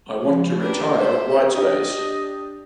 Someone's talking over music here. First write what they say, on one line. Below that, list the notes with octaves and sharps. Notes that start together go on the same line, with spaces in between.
I want to retire white space.
C#3 F3 G#3
A#3 D4 G4 A#4 B4
A4 C5 E5
D4 G4 D#5